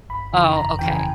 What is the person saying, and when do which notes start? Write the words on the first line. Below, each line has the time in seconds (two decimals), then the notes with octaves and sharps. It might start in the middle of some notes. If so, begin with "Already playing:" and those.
Oh, okay.
0.09 G1 B5
0.33 F2 C#3 E3
0.56 G1 A#5
0.79 F2 C#3 E3 G5
0.91 G#5